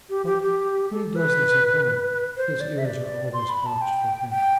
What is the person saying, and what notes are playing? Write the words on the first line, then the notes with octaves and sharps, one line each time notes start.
But when he does this at home, his ears are always boxed for him.
G4
G4
G4
A4
B4
C5
D5
E5
D5
C6
B5
A5
G5
G5